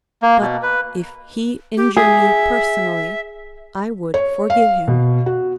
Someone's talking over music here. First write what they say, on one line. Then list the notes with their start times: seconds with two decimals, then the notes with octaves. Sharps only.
But if he injure me personally, I would forgive him.
0.22 A#3
0.41 B2
0.63 B4
1.77 G4
1.97 G#4 E5
4.14 C#5
4.50 F5
4.88 B2
5.26 F#4